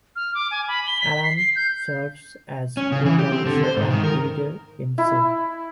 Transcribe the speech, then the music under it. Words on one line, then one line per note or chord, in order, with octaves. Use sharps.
Adams serves as co-publisher and editor-in-chief.
F6
D6
G#5
B5
G7
B6
C7
C7
G6
C#4
C#3
E3
G4
C4
D3
C5
G#2
D#3
A#4
E4